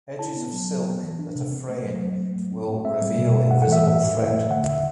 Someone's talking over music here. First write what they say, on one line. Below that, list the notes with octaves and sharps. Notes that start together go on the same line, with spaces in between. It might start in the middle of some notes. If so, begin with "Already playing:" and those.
Edges of silk that are fraying will reveal "invisible thread".
E4 A5
B3
F#3
F#3
B3
E3
D4
C3
C4
A3
F#3
F#3
A3
F#3
C4
A2
C4 E5
G3
B2
B2
A3 F#5
F#5
E3 E5
A2 E5
A2
E4
A3
D3 F#5
D3 E5